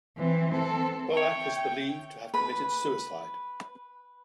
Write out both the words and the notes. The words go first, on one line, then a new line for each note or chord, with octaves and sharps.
Boake is believed to have committed suicide.
E3 C4
C4 A4
C#5 E5 G5
B4 B5